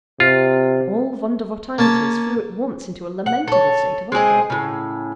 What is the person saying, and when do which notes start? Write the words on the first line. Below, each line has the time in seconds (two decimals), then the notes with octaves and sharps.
All Vondervotteimittiss flew at once into a lamentable state of uproar.
0.20 C3 F4
1.78 A#3 C#4 A5 C#6
3.26 F#5
3.48 A4 C#5
4.12 G#3 C4 G#4 D#5
4.50 A2 C#3